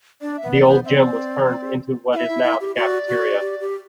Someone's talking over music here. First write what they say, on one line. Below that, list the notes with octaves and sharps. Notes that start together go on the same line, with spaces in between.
The old gym was turned into what is now the cafeteria.
D4 D5
E5
B3
D5
B3 C5
C4 D5 E5
E4 E5 F#5
E4
E4
G4
F#4 D5
F#4
G4
G4